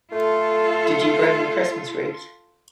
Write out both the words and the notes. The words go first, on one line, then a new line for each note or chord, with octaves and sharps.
Did you bring the Christmas wreath?
A3 F4 A4